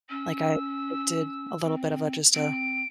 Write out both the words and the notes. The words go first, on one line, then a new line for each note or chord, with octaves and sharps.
like, I I did a little bit of a just a,
C#4 E6
C4
C4 D7